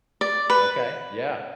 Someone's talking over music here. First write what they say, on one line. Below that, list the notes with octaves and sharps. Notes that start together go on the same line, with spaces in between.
Okay. Yeah,
D5
B4